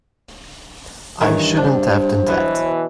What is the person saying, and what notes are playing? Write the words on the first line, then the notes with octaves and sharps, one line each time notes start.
I shouldn't have done that.
G2 D#3 E3 C#5
D4 C5
B2 E3 F#3 B3